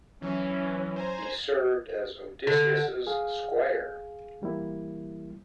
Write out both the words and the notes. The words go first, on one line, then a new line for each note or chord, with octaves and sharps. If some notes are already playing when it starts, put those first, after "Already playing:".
He served as Odysseus's squire.
E3 F#3 C#4 E4
C5 G#5 A#5
D3
G#4 F5
E3 G3 A#3 E4